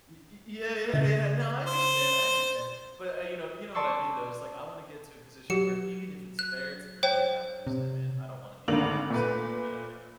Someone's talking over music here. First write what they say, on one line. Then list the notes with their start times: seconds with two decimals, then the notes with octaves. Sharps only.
Yea yea yeah yeah yeah, no, I understand I understand, but, uh, you know you know what I mean, though, it's, like, I want to get to a position where even if it's fair it's for me to have the resentment, I don't wanna be that person, you know what I mean,
0.94 C#3
1.66 C5
3.74 D5 A5 C6 C#6 E6
5.50 F#3 G4 C#7
6.39 F#6
7.03 C5 C#5 G5
7.67 C3
8.68 G#1 D2 D3 A#3 F7 F#7
9.10 A#2 A3 B4